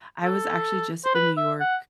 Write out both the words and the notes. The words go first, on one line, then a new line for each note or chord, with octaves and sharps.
I was actually just in New York,
A4
C5
B4
E5
F#5